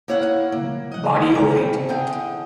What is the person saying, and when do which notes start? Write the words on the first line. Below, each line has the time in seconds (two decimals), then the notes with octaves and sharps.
Body ovate.
0.08 A#3 E4 C#5 F5 F#5
0.52 A#3
0.92 D#5 F#5
1.32 G3 A#4
1.55 C#3 C4
1.89 D3 E3 G#4 G5 A5